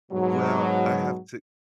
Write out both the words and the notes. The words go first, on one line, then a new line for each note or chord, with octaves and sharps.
Well, I have to
G#2 B2 F#3